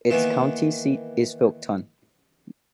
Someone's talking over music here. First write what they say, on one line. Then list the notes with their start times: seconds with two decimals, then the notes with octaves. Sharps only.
Its county seat is Faulkton.
0.11 D#3 E3 A#3 B3